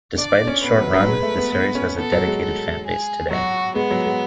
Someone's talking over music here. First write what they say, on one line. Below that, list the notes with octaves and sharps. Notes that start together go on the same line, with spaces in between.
Despite its short run, the series has a dedicated fan base today.
D4 D5
C#4
B3 B4
F#3
F#3
G#3
A3
B3
B3
C#4
B3 A4
F#3
G#3
A4
G#4
F#3 F#4
G#3 B3
F#3
G#3